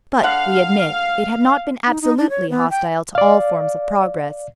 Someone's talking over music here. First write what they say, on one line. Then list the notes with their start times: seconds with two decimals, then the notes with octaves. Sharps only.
But, we admit, it had not been absolutely hostile to all forms of progress.
0.23 D3 F5 F#5
1.87 D#4
2.02 D#4
2.18 D4
2.30 C#5
2.50 B3
2.70 G5
3.15 D5 F5